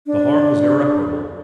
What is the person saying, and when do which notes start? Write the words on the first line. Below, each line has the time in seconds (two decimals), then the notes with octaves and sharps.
The harm was irreparable.
0.06 D4